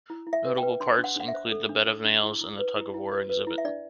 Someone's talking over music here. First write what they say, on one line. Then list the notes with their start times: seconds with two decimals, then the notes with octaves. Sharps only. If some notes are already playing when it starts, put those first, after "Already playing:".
Notable parts include the bed of nails and the tug of war exhibit.
0.10 E4
0.27 E4
0.33 E5
0.45 B4
0.57 G5
0.63 B4
0.80 D4 C6
0.99 D4
1.04 F#5
1.16 D4 F#5
1.28 E5
1.34 C5
1.52 A4
1.69 D4
1.87 A4
2.05 D4
2.23 E4
2.41 E4
2.59 B4
2.76 E4
2.94 E4
3.11 B4
3.29 B4
3.47 E4
3.58 E5
3.65 D4 D5